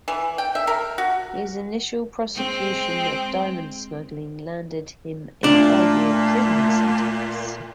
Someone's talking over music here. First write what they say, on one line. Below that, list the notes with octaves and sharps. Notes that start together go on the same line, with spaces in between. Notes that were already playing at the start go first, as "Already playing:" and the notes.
His initial prosecution of diamond smuggling landed him a five-year prison sentence.
E3
G5
E5
A#4
F#4
G#3 C4
A#2 A3 D4